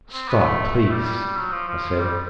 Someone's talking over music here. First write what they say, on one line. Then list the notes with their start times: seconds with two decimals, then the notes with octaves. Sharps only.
"Stop, please," I said.
0.13 C4
0.29 B3
0.44 A3
0.75 A3
0.90 G3
1.06 G3
1.37 F#3
1.52 F3
1.68 F3
1.99 G3